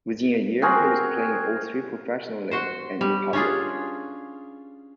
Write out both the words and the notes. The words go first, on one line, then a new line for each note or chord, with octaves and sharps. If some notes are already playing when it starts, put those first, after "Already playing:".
Within a year he was playing all three professionally and in public.
C4 F#4 G#4 A#4
F#4 C5
G3
C#4 D4 F4 G#4